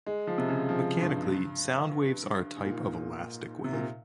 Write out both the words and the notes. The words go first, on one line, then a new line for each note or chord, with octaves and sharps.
Mechanically, sound waves are a type of elastic wave.
G#3
F3
C3
C#3
F3
G2
G#2
A#2
G#2
C3
A#2